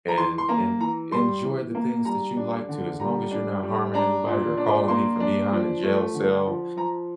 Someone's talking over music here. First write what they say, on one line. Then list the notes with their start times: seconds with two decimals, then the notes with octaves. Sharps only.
and and enjoy the things that you like to as long as you're not harming anybody or calling me from behind a jail cell.
0.08 A#5
0.17 E3 C6
0.38 C6
0.48 A#3 A#5
0.80 E3 A#5
1.11 G3 C6
1.43 E3
1.75 A#3
2.05 G3 A#5
2.37 D4
2.69 D3
3.00 G3 A#5
3.31 D4
3.63 G3
3.94 D4 A#5
4.26 A#2
4.57 D4
4.88 A#3 C6
5.20 D4
5.51 F3
5.83 A3
6.14 D3
6.46 F3
6.77 F3 A#5